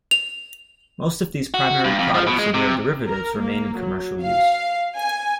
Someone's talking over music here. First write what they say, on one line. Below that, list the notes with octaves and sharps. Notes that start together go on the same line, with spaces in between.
Most of these primary products and their derivatives remain in commercial use.
F7
F#4
G2
F2
F3
B2
G#3
C3
A#4
A#3
F#3
F5
G#5